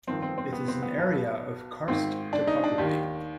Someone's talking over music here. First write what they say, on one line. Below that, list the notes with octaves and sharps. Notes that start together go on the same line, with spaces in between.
It is an area of karst topography.
G1 F2 D#3 C4
C4
C4
B3
C4
B3
B1 B2
G#1 G#2 D#3 C4
D4
D#4
D4
D#2 D#3 G4